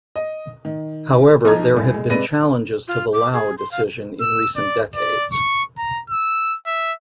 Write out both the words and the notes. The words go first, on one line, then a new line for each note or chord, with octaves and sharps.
However, there have been challenges to the Lau decision in recent decades.
D#5
D#3
B1 F3 D#4 A#5 G#6
F1 C2
G#3
C3 G#3 B4 D5 A#6 D#7
F4
D6
G#4
C6
F5
E6
D5
D5
C#6
A#5
E6
E5